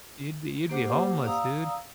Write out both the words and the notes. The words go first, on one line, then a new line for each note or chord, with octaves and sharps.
You'd be you'd be homeless, dude.
A#3 G4 C5 F#5 D6
D5 F5 A#5 D#6 E6